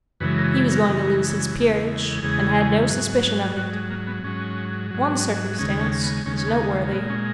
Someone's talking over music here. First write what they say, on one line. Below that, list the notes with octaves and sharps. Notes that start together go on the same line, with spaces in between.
He was going to lose his peerage, and had no suspicion of it. One circumstance is noteworthy.
F#2 C#3 E3 G#3 B4
A#4
B4
A#4
F#2 C#3 E3 G#3
E2 C#3 G#3
E2 C#3 G#3 G#4
G#2 F#3
G#2 F#3 F#4
G#3
A#3
B3
G#2 F#3 C#4
G#2 F#3
D#2 C#3 G#3 C#4
C#4
B3
D#2 C#3 G#3 C#4
C#4
B3
A#3
A#3
A#2 G#3 B3
C#4